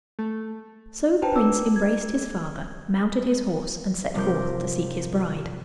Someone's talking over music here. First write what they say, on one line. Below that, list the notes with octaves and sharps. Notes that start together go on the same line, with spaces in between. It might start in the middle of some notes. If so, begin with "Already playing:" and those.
So the prince embraced his father, mounted his horse, and set forth to seek his bride.
A3
D4 B4 C5 G5 A5 A#5
D5 D6 E6
G#6
G2 C3 F3 A#4 D6 G6